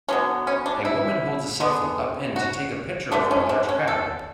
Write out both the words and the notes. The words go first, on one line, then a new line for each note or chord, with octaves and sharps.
A woman holds a cellphone up in to take a picture over a large crowd.
D3 F#3 B3 C#4
C#4
D4
E4
D3 G#3 B3
F#4
D3 A3 D4
C#4
D4
C#4
A4